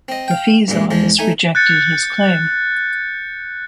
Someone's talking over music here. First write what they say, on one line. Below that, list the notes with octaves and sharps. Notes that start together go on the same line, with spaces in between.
The Fees Office rejected his claim.
C4 D#5
F5 G5
G2 A#2 G#3
E2 F3 G#3
A3 D#4 G#5
F#6 G6 A6 C#7